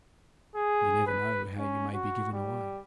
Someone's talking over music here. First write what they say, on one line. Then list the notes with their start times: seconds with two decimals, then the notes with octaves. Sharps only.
You never know how you may be given away.
0.55 G#4
1.07 B4
1.59 C#4
1.94 F#4
2.32 G3